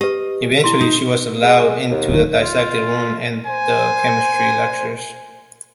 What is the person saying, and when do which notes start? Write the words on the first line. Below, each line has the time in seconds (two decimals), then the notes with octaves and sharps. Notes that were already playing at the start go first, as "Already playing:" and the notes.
Eventually she was allowed into the dissecting room and the chemistry lectures.
0.01 G4 B4 D#5
0.64 E4 C6
0.81 D#4
1.42 G#3
1.91 D#2
2.09 D1 D#3
2.42 F4
3.47 C5 G#5